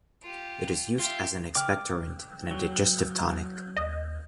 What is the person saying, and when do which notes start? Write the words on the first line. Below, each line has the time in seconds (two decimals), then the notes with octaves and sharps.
It is used as an expectorant and a digestive tonic.
0.23 F4 G4
0.99 F4 G4 E5
1.55 C#3 G5 D6 F6
2.51 F#3
3.77 D#2 D#5